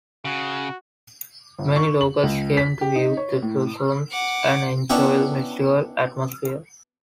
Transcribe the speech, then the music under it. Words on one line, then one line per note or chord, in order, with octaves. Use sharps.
Many locals came to view the blossoms and enjoy the festival atmosphere.
C#3 F#4
G1
C#6
F#7
C#2
B6
G4
D#4
C#5
A2
F#5 D6
B3 C#4 D4 E4 G5